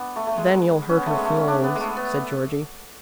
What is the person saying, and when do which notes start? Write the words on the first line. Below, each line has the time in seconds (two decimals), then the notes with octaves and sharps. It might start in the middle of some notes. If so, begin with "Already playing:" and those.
"Then you'll hurt her feelings," said Georgie.
Already playing: B3 D4
0.16 A3
0.27 A3
0.37 G#3
0.89 C#4
0.97 B3
1.06 A3
1.15 G#3
1.25 A3
1.37 C#4
1.47 D4
1.64 B3
1.75 G#3
1.81 A3
1.97 B3